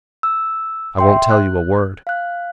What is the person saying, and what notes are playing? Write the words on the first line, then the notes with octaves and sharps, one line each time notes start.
"I won't tell you a word."
E6
E5 G5 C6
F#6
F5 F#6